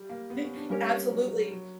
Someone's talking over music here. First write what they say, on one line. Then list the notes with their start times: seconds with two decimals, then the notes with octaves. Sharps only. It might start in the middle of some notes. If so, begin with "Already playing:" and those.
The absolutely.
Already playing: G3
0.09 A#3
0.30 B3
0.43 C#4
0.57 D4
0.69 G3 A#3 C#4 G4 A#4 C#5
1.10 F#3
1.31 F#3
1.41 G3
1.51 F#3